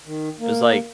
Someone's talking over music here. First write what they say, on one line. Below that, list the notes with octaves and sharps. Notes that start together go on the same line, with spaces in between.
it was, like
D#3
A#3